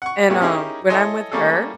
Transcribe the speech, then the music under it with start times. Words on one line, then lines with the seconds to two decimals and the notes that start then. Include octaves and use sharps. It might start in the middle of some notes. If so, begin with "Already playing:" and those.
And, um, when I'm with her,
0.02 F#5 C#6
0.30 G2 A#2 A3 B3 F#4 G4
0.41 C#4 D#4 E4 G4 G#4 A#4
0.89 E4 A4 C#5 D#5 G#5 C6
1.32 G3 A3 A#3 C#4 G#4 A4